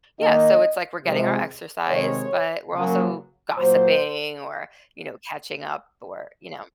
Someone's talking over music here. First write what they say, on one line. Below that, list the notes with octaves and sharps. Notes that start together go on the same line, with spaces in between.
yeah, so it's, like, we're getting our exercise, but we're also gossiping or, you know, catching up or, you know,
D#3 A#3 D#5
C3 F3 G#3
C3 D#3 G#3 C#5
C#3 F#3 A#3
A#2 F#3 A#3 C5